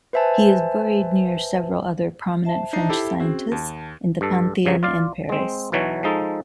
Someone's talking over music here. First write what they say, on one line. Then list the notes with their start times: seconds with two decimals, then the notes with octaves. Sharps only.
He is buried near several other prominent French scientists in the Pantheon in Paris.
0.13 B4 C5 E5 G#5 A5
2.44 C5 E5 A5
2.73 D4 D#4 C7
2.89 E4 G4 A4
3.20 C4 C#4 F#4 G#4
3.52 D#2 A5
4.21 G2 A4
4.65 G2 C#3 F#3
4.83 F4 D5 F5
5.29 G#3 C4
5.72 B1 B2 E3 F#3 C#5
6.03 F3 G#3 D#4 A4